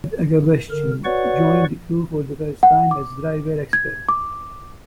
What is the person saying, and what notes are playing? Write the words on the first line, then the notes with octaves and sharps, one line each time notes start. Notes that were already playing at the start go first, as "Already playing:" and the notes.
Fred Agabashian joined the crew for the first time as driver expert.
D3 A#4
F#4 B4 C#5 D5 F#5 C#6
F#5
D6
G#6
D6